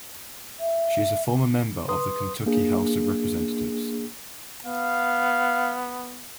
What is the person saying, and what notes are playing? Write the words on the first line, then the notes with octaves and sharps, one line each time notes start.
She is a former member of the Kentucky House of Representatives.
E5
B4 C6 D#6
A#3 D4 G#4
B3 F5